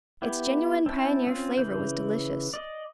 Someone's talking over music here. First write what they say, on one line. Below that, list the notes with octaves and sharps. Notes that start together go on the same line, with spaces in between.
Its genuine pioneer-flavor was delicious.
B3 E4 G4
C4 D4 E4
C4 C#4 F4
C#3 E3 G6
D5 D#5